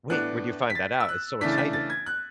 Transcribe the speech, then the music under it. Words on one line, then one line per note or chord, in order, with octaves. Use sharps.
"Wait, where'd you find that out? It's so exciting."
A2 E3 B3 D4 F#6
B6
A6
E6
F#6
C#3 E3 A3 D4 B6
A6
B6
A6
G#6
F#6